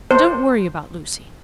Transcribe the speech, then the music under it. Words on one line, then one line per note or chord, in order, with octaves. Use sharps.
And don't worry about Lucy.
C5